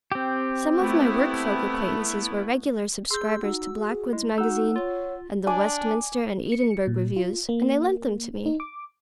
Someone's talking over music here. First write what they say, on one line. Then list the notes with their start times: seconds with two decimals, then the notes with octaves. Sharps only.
Some of my work-folk acquaintances were regular subscribers to "Blackwood's Magazine" and the "Westminster" and "Edinburgh" reviews, and they lent them to me.
0.12 C4 G4
0.78 A3 B3 E4
3.11 G#4 C6 E6 G6
3.43 D#4 F#4
3.75 G#4
4.13 G#3 E4
4.38 D#4 F#4 F#5 E6
4.76 F4 C#5
5.47 D4 D5 G#5
6.52 C#7
6.87 A#2
7.16 F4
7.49 A#3
8.46 D#4
8.60 D6